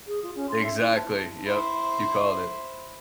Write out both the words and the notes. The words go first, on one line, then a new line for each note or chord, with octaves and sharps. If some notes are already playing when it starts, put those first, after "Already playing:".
Exactly, yep, you called it.
G#4
F4
C#4
C6
E5
E4
A5
E4 C5